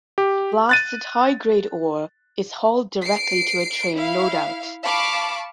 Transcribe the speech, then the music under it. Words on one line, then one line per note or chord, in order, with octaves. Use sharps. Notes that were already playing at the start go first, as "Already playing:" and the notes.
The blasted high-grade ore is hauled directly to a train load-out.
G4
F#6 A6 D#7
C7 D7
E4 F5
F5 A5 B5 C#6 D6